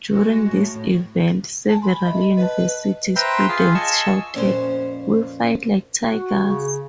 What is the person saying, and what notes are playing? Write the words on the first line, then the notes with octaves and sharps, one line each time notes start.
During this event, several university students shouted, We fight like Tigers!
G#3 F#4
A2
G#5 A5
B5 C6
D#5 E5
B4 D#5 F5 A5
B4 C5 E5 G5 A#5 C6
F4 G#4 F5
D#5 G#5 A5 C#6 E6
F2 A#2 C#4 B4 C5
F#4
C#3